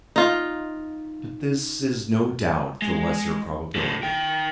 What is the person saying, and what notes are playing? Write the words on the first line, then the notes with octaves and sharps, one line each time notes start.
But this is no doubt the lesser probability.
D#4 F4
G#3
A2 D3
D#3 G5